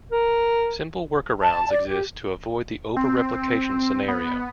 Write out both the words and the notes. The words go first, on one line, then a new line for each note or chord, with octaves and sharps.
Simple workarounds exist to avoid the over-replication scenario.
A#4
A5
D5
G4
C4
B3